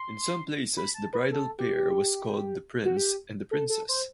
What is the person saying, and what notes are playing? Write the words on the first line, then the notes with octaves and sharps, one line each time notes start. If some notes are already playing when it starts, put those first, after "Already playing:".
In some places the bridal pair was called the prince and the princess.
Already playing: C6
B5
A5
B4
A4
G4
F#4
G4
A4
A4
C5